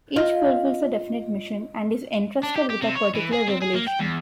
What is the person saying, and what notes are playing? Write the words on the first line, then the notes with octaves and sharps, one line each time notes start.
Each fulfills a definite mission, and is entrusted with a particular revelation.
F4 D#5 A#6
D4
G4
G4
C3
C#5
E3
G#4
C4
G#4
A#3
G5
E2